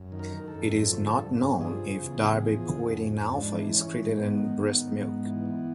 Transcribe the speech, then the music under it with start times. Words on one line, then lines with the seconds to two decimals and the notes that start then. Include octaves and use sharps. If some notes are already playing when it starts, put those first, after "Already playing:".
It is not known if darbepoetin alfa is excreted in breast milk.
Already playing: F#2
0.12 D#3
0.19 A#4
0.33 D#3
0.48 A4
0.55 F#2
0.77 F3
0.97 D3
1.19 G2
1.40 G2
1.61 F3 G#4
1.83 C#3
2.04 E2
2.25 E2
2.46 F3
2.68 D3
2.90 F2
3.10 F2
3.32 G#2 D4
3.53 E3
3.74 E3 C#4
3.95 G#2
4.17 G#2 B3
4.38 D#3
4.59 D#3
4.81 G#2
5.02 G#2
5.24 E3
5.45 E3